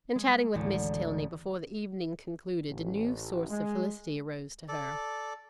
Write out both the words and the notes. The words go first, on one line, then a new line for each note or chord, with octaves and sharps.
In chatting with Miss Tilney before the evening concluded, a new source of felicity arose to her.
G#3
A1 D2
A1
G#3
A4 D5